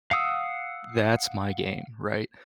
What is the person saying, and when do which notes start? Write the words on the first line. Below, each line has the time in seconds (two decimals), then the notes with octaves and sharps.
that's my game, right?
0.11 F5 F#5 D#6 E6